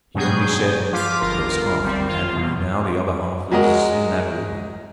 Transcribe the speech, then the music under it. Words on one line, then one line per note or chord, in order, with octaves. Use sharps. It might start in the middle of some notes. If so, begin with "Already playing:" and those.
He only said, 'There is half a man in you now--the other half is in that woman.
G2 B2 F#3 G#4 G6
F3 F4 F5 D6 B6 D#7
G1 F4 A#4
G3 C4
F4
E2 B2
F#3 G#3 F#4 A#4 D#5